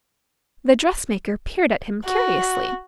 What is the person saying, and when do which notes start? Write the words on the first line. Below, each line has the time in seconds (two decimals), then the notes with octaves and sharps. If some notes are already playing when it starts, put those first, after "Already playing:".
The dressmaker peered at him curiously.
2.05 F#4